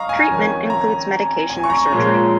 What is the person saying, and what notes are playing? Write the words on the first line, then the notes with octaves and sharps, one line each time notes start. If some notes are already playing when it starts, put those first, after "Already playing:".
Treatment includes medication or surgery.
Already playing: D#5 F5 A#5 C#6
G#5
F2 D#3 C#4
A#5
G#5
C#6
A#5
A#2 F3 G#3 C#4